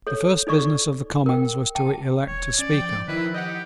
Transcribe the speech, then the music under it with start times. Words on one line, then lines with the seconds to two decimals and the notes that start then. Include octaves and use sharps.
The first business of the Commons was to elect a Speaker.
0.07 A4 C#5
0.47 D#4 A4 D5 C#6
1.26 A#4 G5
1.75 G5 A5
2.27 D#1 C#5
2.59 C#4 D5
2.73 F3 G5
3.08 D#3 F3 E4 B4
3.34 G4 D#5 F#5